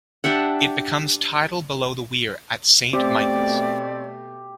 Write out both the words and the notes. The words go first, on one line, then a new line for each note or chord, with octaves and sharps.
It becomes tidal below the weir at Saint Michael's.
D4 G4 E5 F#5
B2 A3 C4 G4 D5